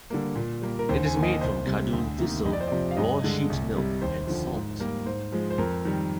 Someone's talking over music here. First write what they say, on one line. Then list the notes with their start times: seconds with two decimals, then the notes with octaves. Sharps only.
It is made from cardoon thistle, raw sheep's milk and salt.
0.10 D3 G3 A#3
0.35 A#2
0.62 G3 A#3
0.79 A#4
0.89 D#2 C5
1.06 G#5
1.14 D#3 A#3
1.23 D#5
1.41 C2 C5
1.67 C3 G3
1.93 D2
2.18 C3 D#3 A#3
2.45 F2 D#5
2.53 D5
2.61 C5
2.68 C3 F3 D5
2.91 F5
2.97 G2 D#5
3.24 D3 G#3
3.50 C2
3.76 C3 G3
4.02 D#2 C5
4.27 D3 F3
4.54 G#2
4.80 G3 A#3
5.06 G#2 C5
5.32 F3 G#3
5.51 C5
5.58 F2 A#4
5.85 D#3 G3